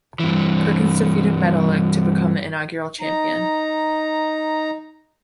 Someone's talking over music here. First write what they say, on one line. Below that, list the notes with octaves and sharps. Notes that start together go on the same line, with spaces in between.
Perkins defeated Metalik to become the inaugural champion.
G2 E3
D#4 A#5